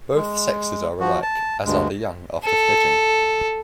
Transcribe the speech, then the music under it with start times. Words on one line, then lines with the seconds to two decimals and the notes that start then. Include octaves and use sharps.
Both sexes are alike, as are the young after fledging.
0.15 G#3
1.00 F3 F#4
1.22 A5
1.65 D2 G2 G#3
2.44 A4